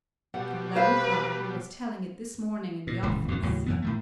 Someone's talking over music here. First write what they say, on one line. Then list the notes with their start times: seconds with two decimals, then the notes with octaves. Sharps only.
"From Laruja, who was telling it this morning in the office."
0.34 B2 G3 F#5
0.75 B4 C5 F5
2.87 A#2
3.03 D#1 C#2 A2 E3
3.28 F2 B2 D3 D#3
3.43 D#2 A2 C#3 F#3
3.66 F2 E3 B3
3.82 A2 D#3 A3